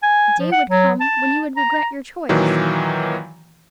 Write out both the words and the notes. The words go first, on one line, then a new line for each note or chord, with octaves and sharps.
The day would come when you would regret your choice.
G#5
F3
F#5
F#3
A5
A#5
A#2 D#3 E3 F#3